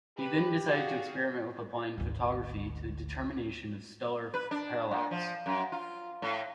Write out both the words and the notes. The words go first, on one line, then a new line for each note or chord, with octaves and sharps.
He then decided to experiment with applying photography to the determination of stellar parallax.
G4 B4
F#4 G#4 F5
G#1 D2
B4
D4
A#2
F3
F#2
F4
A2